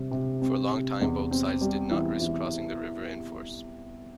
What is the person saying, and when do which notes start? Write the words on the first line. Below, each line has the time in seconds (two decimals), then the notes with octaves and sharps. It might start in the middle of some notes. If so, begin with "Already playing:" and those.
For a long time both sides did not risk crossing the river in force.
Already playing: C3 G3
0.11 C3
0.42 C4
0.71 C3
1.01 E2
1.31 C4
1.61 G3
1.91 E3
2.21 E3